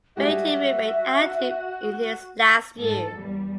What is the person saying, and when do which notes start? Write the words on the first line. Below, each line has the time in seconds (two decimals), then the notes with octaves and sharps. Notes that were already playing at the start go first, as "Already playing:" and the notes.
Rietti remained active in his last years.
0.17 G3 G#3 F#4 G4 E5
2.78 G#2 A4
3.16 E2 G3